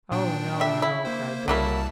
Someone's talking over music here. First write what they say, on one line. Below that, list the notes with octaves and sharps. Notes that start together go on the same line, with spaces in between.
'Oh, no, no!' cried Dora.
A#2 D4 G5
G3 E5
E4
A#3 C5
C2 F#3 G3 A#3 E4 A5